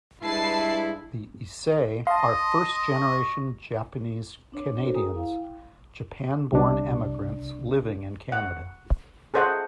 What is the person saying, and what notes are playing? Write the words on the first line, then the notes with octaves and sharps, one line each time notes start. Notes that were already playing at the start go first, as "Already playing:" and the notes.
The "Issei" are first-generation Japanese-Canadians, Japan-born emigrants living in Canada.
G2 G#3 E4 B4 A5 C7
D#5 F5 A5 C6 D#6
C#6
C4 D4 C#5
F#4 A4 A#4 C5
G#4 G5 G#5 A#5 D#6
E4 F5 G5
C2 C3 D4
F#5
G#4 A4 C5 D#5 F#5